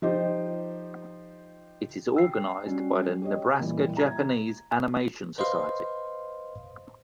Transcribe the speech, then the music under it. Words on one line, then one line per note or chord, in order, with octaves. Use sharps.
It is organized by the Nebraska Japanese Animation Society.
F3 D#4 G4 C5
G5 E6 C7
G3 C#4 F#4
G4 C#5 D#5
A#2 E3 G3
E5 A#5 G#6
B4 C5 D#5 F5 C6